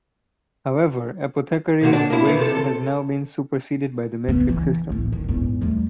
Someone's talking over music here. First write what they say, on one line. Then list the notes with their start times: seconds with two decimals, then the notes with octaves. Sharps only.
However, apothecaries' weight has now been superseded by the metric system.
1.81 C3 A#3 F#4
1.93 D4
2.10 A#3 E4
2.25 D#3 E3
2.37 C3 A4
2.55 A4
4.29 C#3 B3
4.49 E3
4.90 A1 E2
5.12 D#3
5.29 E2 G#2
5.62 G3 A3